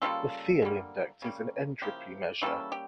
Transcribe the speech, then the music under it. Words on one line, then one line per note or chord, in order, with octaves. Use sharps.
The Theil index is an entropy measure.
C#3 G3 A#3 F4 A4
D3 G3 A#3
C#3 G3 A#3
C#3 F3 A#3 E4 G4
E3 G3 A#3 C#4 F4 A4
G4